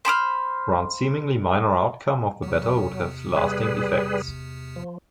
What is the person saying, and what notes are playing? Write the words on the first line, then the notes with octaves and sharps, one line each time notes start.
One seemingly minor outcome of the battle would have lasting effects.
C5 B5 D6 F6
E2 C3 F#3
G3 G#4 B4
F3